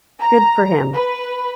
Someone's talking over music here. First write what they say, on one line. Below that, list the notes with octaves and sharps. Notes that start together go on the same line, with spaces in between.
Good for him.
A#5
B4